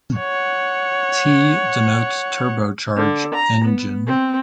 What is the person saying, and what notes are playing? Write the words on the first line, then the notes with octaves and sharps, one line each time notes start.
"T" denotes turbocharged engine.
C#5 F#5
D3
A#5
B3
C4